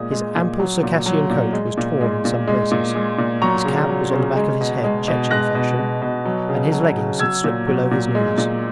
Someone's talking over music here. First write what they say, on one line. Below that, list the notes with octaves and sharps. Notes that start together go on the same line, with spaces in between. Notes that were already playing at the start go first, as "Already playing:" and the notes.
His ample Circassian coat was torn in some places, his cap was on the back of his head Chechen fashion, and his leggings had slipped below his knees.
Already playing: A#2 G#3 D#6
G#3
A#2
F#3
A#2
F#3
A#2
G#3
A#2
G#3
A#2
G#3
A#2
G#3
A#2
F#3 A#5 C#6
C#3
F#3
C#3
G#3
B2
G#3
B2
G#3 F#6 A#6
B2
G#3
B2
F#3
C#3
F#3
C#3
F#3 E6 G#6
A#2
F#3
A#2
G#3
A#2